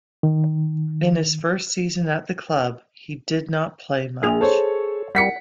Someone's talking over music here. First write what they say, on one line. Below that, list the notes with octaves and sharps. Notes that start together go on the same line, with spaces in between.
In his first season at the club he did not play much.
D#3
A#1 G#4 F7
A4 C5 C#5
G3 F#5 B6 C#7